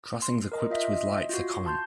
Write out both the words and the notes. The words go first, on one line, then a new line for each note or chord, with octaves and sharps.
Crossings equipped with lights are common.
C6
A#4 D#5
F4 D#5 E5
F4 F#4
A5 C6 G6